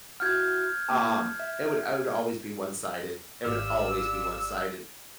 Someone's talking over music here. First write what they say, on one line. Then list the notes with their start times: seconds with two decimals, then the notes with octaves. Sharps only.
um, it would I would always be one-sided it would always be one-sided,
0.20 E4 F#4 F#5 F6 G6 G#6
0.88 B1 A#3 A5
1.40 E5
3.45 G#1 F4 G4 D5 E6 F6